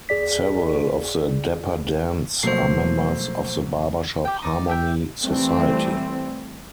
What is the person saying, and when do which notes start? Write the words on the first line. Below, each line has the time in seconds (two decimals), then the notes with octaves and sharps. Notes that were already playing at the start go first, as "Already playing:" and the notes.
Several of the Dapper Dans are members of the Barbershop Harmony Society.
0.09 G#1 D#2 G#4 D5 B6
2.43 B2 F3 F#3 A3 A#3 C5 C7
4.25 G4 G5
4.42 D#4 D5
4.68 G4 E5 G5
5.23 E3 G3 A3 C4